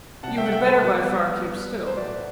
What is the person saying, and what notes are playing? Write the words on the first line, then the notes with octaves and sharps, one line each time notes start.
You had better by far keep still.
C3 G3 F#5 A5
E5 G5
F#5
E5 G5
A4 C5
B2 G3 B4
B2 G3 B4
C5
A2 F#3 A3 B4 D5